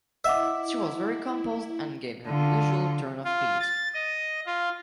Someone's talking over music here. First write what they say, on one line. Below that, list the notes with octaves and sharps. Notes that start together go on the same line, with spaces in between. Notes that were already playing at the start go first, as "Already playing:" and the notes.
She was very composed and gave her usual turn of speed.
E4 D#5 E5 F#5 D6
D3 F4
F4
A6
D#5
F4